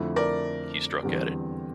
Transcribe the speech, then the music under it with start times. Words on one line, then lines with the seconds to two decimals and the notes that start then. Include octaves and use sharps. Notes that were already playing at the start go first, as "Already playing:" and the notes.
He struck at it.
Already playing: F2 D3 A3 E4
0.16 A#4 D5
1.03 E2 D3 G3 C4 G4